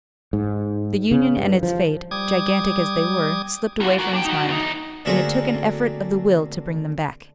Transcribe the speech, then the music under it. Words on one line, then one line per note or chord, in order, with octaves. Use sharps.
The Union and its fate, gigantic as they were, slipped away from his mind, and it took an effort of the will to bring them back.
G#2
C#3
G2
F3
G3 D6 D#6 G#6
F4 F#4
F#4 A#4
D4 G5
D#4 F#4
E2 D#4
D3 A3 A#3 C4 F#4 G#4